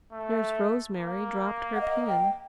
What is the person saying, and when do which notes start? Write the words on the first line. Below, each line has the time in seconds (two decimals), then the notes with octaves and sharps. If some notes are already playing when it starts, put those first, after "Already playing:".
Nurse Rosemary dropped her pen.
0.12 A3
0.97 A#3
1.75 F#5
1.81 D#5
2.08 G5